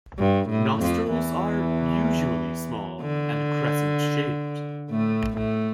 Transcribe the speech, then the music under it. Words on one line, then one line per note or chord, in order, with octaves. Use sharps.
Nostrils are usually small and crescent shaped.
G2
A2
F2 F3
E2 E3
D3
A2 A3
A2 A3